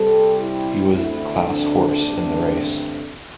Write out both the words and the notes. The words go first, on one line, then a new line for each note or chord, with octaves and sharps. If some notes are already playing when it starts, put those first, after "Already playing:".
He was the class horse in the race.
Already playing: C3 G3 C4 A4
E4
D2 D3 A3 C4 E4
D4
G2 D3 A3 C4